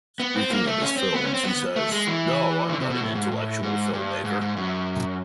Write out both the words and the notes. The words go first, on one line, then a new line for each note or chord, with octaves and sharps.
Speaking of his films, he says, No, I'm not an intellectual filmmaker.
B3
C4
A#3
A3
C#4
C4
B3
C#4
C4
B3
A3
G#3
E3
D3
C3
B2
A2
G#2
A2
G#2
G2
G#2
G#2
F#2